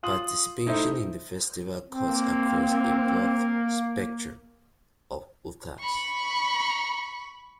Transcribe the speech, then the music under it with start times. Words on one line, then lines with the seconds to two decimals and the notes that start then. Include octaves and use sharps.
Participation in the festival cuts across a broad spectrum of Utahns.
0.03 F4 C6 D#6 F#7
0.66 A3 D#4 E4 C5 E5
1.89 C4
2.07 A#3
5.80 B5 C#6